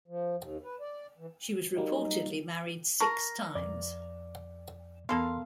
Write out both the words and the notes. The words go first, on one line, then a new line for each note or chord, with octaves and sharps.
She was reportedly married six times.
F3
D#2
B4
D5
E3
F#3 G3 A#3 D#4
A#4 A5 C#6
F2 D5
E2 A#3 B3 A4 F5 C6